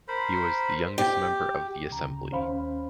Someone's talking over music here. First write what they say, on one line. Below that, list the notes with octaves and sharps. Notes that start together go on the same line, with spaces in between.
He was the youngest member of the assembly.
A#4 C5 B5
G4
D2 C#3 A#5
D#2 C#4 C5 F5 B5